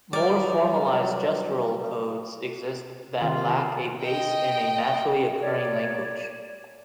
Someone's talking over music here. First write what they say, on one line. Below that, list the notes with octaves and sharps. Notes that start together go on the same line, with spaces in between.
More formalized gestural codes exist that lack a base in a naturally occurring language.
F#3 G3 A#4 B4 D5
C3 D#3 F4 F#7
D#5 G5
C#5 D5